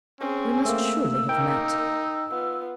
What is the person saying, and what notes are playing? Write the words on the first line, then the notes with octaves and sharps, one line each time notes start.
'We must surely have met.
C4 C#4 G#4
A3 A#3 E6
A#3 D#4 A#4 G5
B3 F4